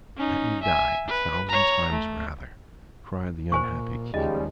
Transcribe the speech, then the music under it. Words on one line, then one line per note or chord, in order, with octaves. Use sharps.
"Let me die a thousand times rather," cried the unhappy King.
C#4 D#4
E5 G#5
B4
C#5 A#5
A3
A#2 C5 G#5 C#6
D#2 C#3 F3 G3 G#3 D#5